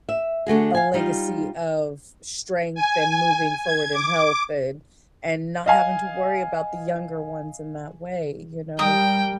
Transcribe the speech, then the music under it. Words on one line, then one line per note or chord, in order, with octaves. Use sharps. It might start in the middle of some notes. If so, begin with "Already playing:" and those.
a legacy of strength and moving forward in health and and not having to worry about the younger ones in that way, you know?
E5
D3 A3 F#4 G#4
F5 G#5
G3 D#4 F4
G#5
G#6
D6
D#5 F5 G#5
G3 A#4 G5 D#6